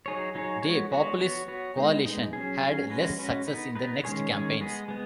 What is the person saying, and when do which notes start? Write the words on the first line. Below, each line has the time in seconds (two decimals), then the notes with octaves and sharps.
They Populist coalition had less success in the next campaigns.
0.06 F#3 D#4 G#4 C#5
0.35 F#3 D#4 G#4 C#5
0.62 G#3 B3 F#4 C#5
0.92 G#3 B3 F#4 C#5
1.20 B3 F#4 C#5
1.48 B3 F#4 C#5
1.77 G#3 B3 D#4
2.05 G#3 B3 D#4
2.33 F#3 C#4 G#4
2.62 F#3 C#4 G#4
2.90 G#3 C#4 F#4 B4
3.19 G#3 C#4 F#4 B4
3.47 B3 D#4 B4
3.75 B3 D#4 B4
4.04 D#3 G#3 C#4 G#4 C#5
4.33 D#3 G#3 C#4 G#4 C#5
4.61 G#3 B3 G#4
4.88 G#3 B3